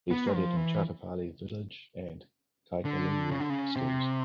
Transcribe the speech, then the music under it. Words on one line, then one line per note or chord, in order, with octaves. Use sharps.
He studied in Choutapally village and Kaikaluru schools.
B3
F3
E3
D3
C#3
D3
C#3
C3